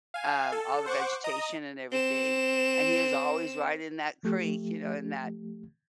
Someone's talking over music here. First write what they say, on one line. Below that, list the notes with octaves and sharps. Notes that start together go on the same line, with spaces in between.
um, all the vegetation and everything, and he was always right in that creek, you know, in that
F5 G#5
A4
C5 F#5 C#6 D6
D#5 A#5 D#6
C4 E7
F3 A3 G4